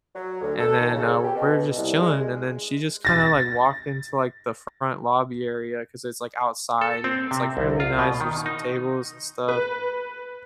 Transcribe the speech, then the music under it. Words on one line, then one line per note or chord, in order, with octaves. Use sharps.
And then, uh, we're just chilling and then she just kinda, like, walked into, like, the front lobby area 'cause it's, like, outside and it's, like, fairly nice, there's some tables and stuff,
F#3
D2
A4
D#3
C#3
G4
B2
C2
G#3
A6 A#6
A4
C4
C3
C2
F4
B2
D#3
D#4
B4